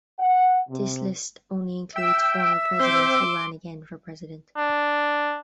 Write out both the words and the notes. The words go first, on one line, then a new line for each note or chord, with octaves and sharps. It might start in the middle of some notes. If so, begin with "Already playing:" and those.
This list only includes "former" presidents who ran again for president.
F#5
C3
E5 G5 E6
C4 C5 C6 D6
D4